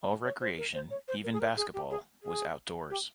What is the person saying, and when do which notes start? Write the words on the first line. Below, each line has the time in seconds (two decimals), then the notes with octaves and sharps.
All recreation, even basketball, was outdoors.
0.25 C#5
0.41 C5
0.58 A#4
0.74 C5
0.91 C#5
1.08 C5
1.24 A#4
1.33 G#4
1.40 A#4
1.57 G#4
1.74 G4
1.90 G#4
2.23 G#4
2.90 G4